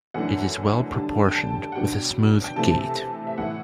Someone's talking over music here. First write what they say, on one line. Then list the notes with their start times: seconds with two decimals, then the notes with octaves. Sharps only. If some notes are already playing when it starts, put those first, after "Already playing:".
It is well proportioned, with a smooth gait.
0.14 F#2 E3 A3 D4 F#5
0.95 D3 G3 D4 A5
1.28 G5
1.35 A5
1.72 F#5
1.76 B2 F#3 B3 D4 G5
2.44 G5
2.56 C3 E3 A3 C4 A5
3.27 E5
3.38 A2 E3 A3 E4 F#5